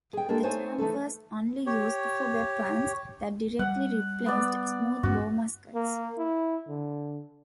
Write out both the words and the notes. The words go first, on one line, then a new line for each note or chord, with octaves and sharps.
The term was only used for weapons that directly replaced smoothbore muskets.
G#4 G5
G#3 A#3 D4 G4 A4
A3 D#4 C5 C#5 G#5
E3 A3 D#4 A4
G4 C#5
G3 F#5
B3 D5
G2 C#4 F#4
A#3
E4
D3